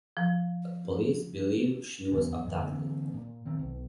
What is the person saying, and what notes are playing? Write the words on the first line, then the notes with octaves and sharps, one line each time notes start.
Police believe she was abducted.
F3
D1 E2 D3 B3
F2 A#2 D#3 E3
D3 E3 A#3 C4
A#2
D#3 C4
B1